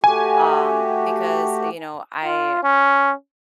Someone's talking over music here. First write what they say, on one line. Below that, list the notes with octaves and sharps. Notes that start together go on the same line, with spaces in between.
um, because, uh, you know, I
A3 F#4 G4 G#5
F4
C#4